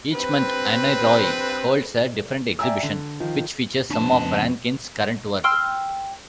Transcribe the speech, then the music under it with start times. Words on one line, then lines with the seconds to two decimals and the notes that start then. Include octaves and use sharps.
Each month "Annroy" holds a different exhibition, which features some of Rankin's current work.
0.13 G2 C4 B4
2.59 D5 E5 G5 G#5 A#5 E6
2.83 D3
3.20 D#3 F3
3.90 F2 C#3 A3 B3 C4 D4 A5
5.44 G5 C6 E6 F6